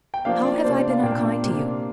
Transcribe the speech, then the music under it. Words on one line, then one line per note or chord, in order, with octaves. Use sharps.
"How have I been unkind to you?"
G5
F3 A#3 D4 F5
D5
C3 A#3 D4 C5
D5
F5
A#2 A#3 D4 G5
C3 A#3 D4